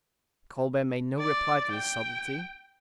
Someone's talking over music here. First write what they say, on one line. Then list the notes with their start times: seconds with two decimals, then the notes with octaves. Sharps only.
Colbert made no reply to this subtlety.
1.19 D5
1.71 G5